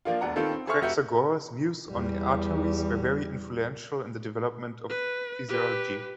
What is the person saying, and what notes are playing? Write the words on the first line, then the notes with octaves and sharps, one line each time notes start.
Praxagoras' views on arteries were very influential in the development of physiology.
F3 A#3 D4 F4
E1 D2 D4 F#5 A5 A#5
D#3 B3 C4 F4 G4 A4
C4
G#4 A4 C5 E5 C#6 F6
F1 F#4 E5 G6 C#7
E2 G3
B4
G4 B4